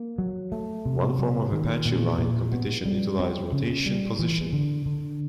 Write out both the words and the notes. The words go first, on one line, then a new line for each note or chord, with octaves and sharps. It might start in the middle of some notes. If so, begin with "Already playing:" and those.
One form of Apache line competition utilized rotation positioning.
Already playing: A#3
F#3
A3
C3
F#3
D#3
A#2
A#2
B3
G3
C4
C#3
G3
E3
D3
D3